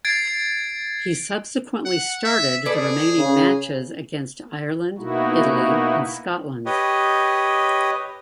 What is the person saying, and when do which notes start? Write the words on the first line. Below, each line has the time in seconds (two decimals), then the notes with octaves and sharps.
He subsequently started the remaining matches against Ireland, Italy and Scotland.
0.05 G#6 A6 C7 D7
1.85 F#5
2.24 E5
2.66 G#4 A4 B4 D5
3.18 C#3
4.98 B2 A#3 D#4 E4 F#4
6.66 G4 B4 C#5 D#5